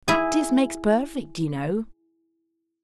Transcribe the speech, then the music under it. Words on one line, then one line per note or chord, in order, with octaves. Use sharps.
Practice makes perfect, you know.
E4 G#4